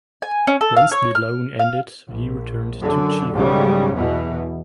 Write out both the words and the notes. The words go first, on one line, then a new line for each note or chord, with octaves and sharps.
Once the loan ended he returned to Chievo.
G#5
C#4
A4
F5
C#5
F6
F5
A#1
F#2 D3
B1 G#2 C#3 G3 C#4
E2 B2 E3